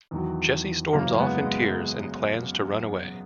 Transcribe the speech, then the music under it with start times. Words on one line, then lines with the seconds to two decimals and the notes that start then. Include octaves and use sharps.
Jesse storms off in tears and plans to run away.
0.11 E2 D#3 F#3
0.92 F#2 C#3 E3 A#3
1.19 G#3 B3
1.46 G#3